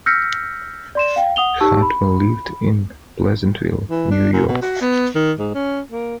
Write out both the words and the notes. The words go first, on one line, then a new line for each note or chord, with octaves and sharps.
Hartwell lived in Pleasantville, New York.
E6 F6 G6 A#6 B6 C#7
D5 C6 E7
F5 G5
F#5 D#6 F7 G7
D#4 G4 A5 C#6 E6
B5
E3
D4
F#2
B2
F#4
B3
D#3
G#2
C#4
A#3